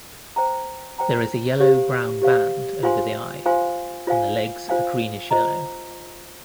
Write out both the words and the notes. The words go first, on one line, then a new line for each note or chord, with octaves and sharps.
There is a yellow-brown band over the eye and the legs are greenish-yellow.
C5 G5 A#5
C5 G5 A#5
G4 C5 F5
G4 C5 F5
F4 C5 F5 G#5 C6
F4 C5 F5 G#5 C6
F4 C5 F5 G#5
F4 C5 F5 G#5
F4 C5 D#5 A#5